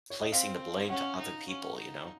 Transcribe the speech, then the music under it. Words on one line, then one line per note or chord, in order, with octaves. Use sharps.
placing the blame to other people, you know?
C#5
D#5
C4 F5
C#4 F#5
D#4
C#4
D#4